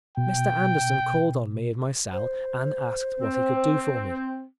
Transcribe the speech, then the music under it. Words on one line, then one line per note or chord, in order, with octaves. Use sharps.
Mr. Anderson called on me in my cell and asked what he could do for me.
B2 G5
C5
C4